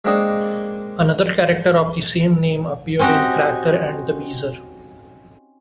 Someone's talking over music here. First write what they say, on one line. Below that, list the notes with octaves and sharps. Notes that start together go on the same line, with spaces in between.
Another character of the same name appeared in Cracker and The Beezer.
G#3 A#3 C4 D4 C#5 D#5
C4 C#4 D#4 F#4 G4